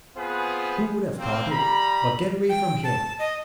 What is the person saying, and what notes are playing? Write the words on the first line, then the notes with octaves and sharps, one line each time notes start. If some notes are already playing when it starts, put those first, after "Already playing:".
Who would have thought it? But get away from here!
B3 C4 F4 G#4 B4 C5
A#3 C4
G3 A#5 B5
G5
A5
D#5